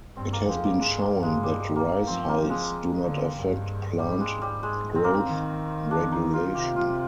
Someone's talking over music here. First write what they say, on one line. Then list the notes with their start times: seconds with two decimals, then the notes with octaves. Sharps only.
It has been shown that rice hulls do not affect plant growth regulation.
0.16 G2 C4
0.32 A#3
0.48 F2 G#3
0.64 G3
0.80 G2 G#3
1.01 A#3
1.23 G#3
1.43 G3
1.52 G#3
1.60 G3
1.76 A#3
2.07 F3 C4
2.29 A#3
2.39 F3
2.50 G#3
3.04 D3
3.35 G2
3.99 G#2 G3
4.20 G#3
4.42 G3
4.63 G#3
4.95 C4
5.04 A#3
5.14 C4
5.27 D#3
5.91 D4
6.12 D#4
6.33 F4
6.54 C3 G4
6.76 F4